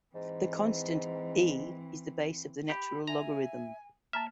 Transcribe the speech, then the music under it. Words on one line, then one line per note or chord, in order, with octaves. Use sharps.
The constant "e" is the base of the natural logarithm.
G#2 E3 C4
G4 B5
E5 G#5 A#5
A#3 E5 A5 A#5 F6